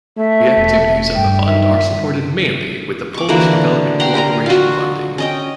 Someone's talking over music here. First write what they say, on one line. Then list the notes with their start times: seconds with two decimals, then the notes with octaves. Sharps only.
The activities of the Fund are supported mainly with the Polish Development Cooperation funding.
0.18 A3 E5
0.57 E1
1.15 G2 G5
1.46 D#3 E5
3.14 C#6 D6
3.29 D3 E3 A#3 F#4
4.00 F#5 G5 A#5 C6
4.14 G4 A#4 G#5 A#5
4.46 F4 F#4
5.18 C#4 D#5 G5